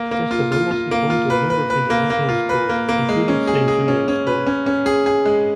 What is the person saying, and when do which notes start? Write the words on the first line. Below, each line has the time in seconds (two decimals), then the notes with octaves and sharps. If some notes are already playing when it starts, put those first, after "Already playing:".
Carcavelos is home to a number of international schools including Saint Julian's School.
Already playing: A#3
0.11 A#3
0.31 F4
0.52 F4
0.71 F4
0.91 A#3
1.10 F4
1.30 B4
1.50 B4
1.70 B4
1.90 A#3
2.10 A#3
2.29 F4
2.49 B4
2.69 A#3
2.89 A#3
3.09 G#3
3.28 C#4
3.47 G#4
3.68 G#4
3.88 C#4
4.08 C#4
4.27 B4
4.46 C#4
4.66 C#4
4.86 G#4
5.06 G#4
5.25 G#3